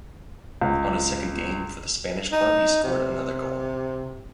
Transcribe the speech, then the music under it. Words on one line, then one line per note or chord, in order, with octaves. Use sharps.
On his second game for the Spanish club he scored another goal.
C#2
D#4
C3